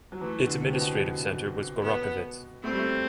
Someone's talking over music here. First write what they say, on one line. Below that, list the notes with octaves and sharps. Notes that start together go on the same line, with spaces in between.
Its administrative centre was Gorokhovets.
F#3
E3 A3
D3
C3
B2
B3
A3 C4
G3
A3